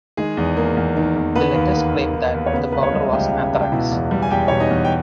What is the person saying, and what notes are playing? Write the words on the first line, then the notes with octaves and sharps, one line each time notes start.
The letters claimed that the powder was anthrax.
D#3 G#3 G#4
E2
A#3
E2
D#3
E2
D#3 B3 B4
D#2
A#3
D#2
D#3
D#2
C#5
C#3 B3 B4
C#2 B4
C#5
G3 D#5
E5
C#2 G4 G5
C#3
C#2
G5
B2 E4 E5
E2
G3
G#5
E2 G4 G5
B2 C#5
D#4 D#5
E2
G5